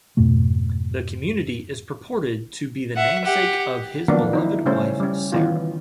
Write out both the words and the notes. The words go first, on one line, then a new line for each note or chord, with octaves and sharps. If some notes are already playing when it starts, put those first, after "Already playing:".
The community is purported to be the namesake of his beloved wife, Sara.
F2 G#2 B2 A3
E5 F#5
G4 F#5
D#3 F3 F#3 A#3 B3 D4
D#4 E4
C#3 G3 A3 C#4 C5
G3 C#4
D#3 E3 B3 F4